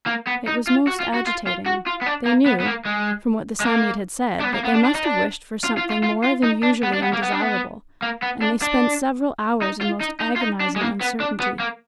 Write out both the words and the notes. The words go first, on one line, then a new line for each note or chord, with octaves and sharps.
It was most agitating; they knew, from what the Psammead had said, that they must have wished for something more than usually undesirable, and they spent several hours in most agonizing uncertainty.
A#3
B3
D#4
F4
F#4
F4
F#4
F4
F4
F#4
F4
B3
D4
A#3
B3
B3
A#3
G#3
G#3
A#3
D4
B3
A#3
B3
D4
D4
D#4
D4
F4
F4
F4
F4
F4
D#4
D4
B3
D4
B3
A#3
B3
D4
B3
A#3
B3
D4
D4
D#4
F4
D#4
D#4
F4
D#4
D4
G#3
A#3
B3
D4
B3
A#3